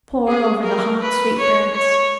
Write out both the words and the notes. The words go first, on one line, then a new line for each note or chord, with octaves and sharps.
Pour over the hot sweetbreads.
G#4
A#4
B4
C#5
C#5